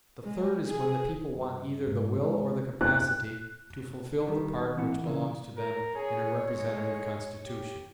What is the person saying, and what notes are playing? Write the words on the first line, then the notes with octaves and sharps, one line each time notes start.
The third is when the people want either the will or the capacity to fulfill the part which belongs to them in a representative constitution.
G#3
G#4
G2
G#2
G#3
F#6
D#3 G3
A#2 E3 C4 E4 F#5
C#3 E3
A#4
G#4 C#5
G#3
G4